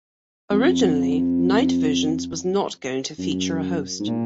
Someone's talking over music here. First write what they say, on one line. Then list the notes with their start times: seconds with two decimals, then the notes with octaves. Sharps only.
Originally, "Night Visions" was not going to feature a host.
0.51 F2
3.18 F#2
4.00 G#2
4.08 A#2